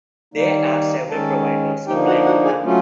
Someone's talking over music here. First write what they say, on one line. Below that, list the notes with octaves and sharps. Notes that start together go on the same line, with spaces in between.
There are several providers supplying the market.
D#3 G3 A#3 D#4
D#3 G#3 C#4 A4 A5
D3 F3 A#3 D#4 G4 G5
F#4 F#5
F#4 F#5
G#4 G#5
F#3 A3 C#4 F4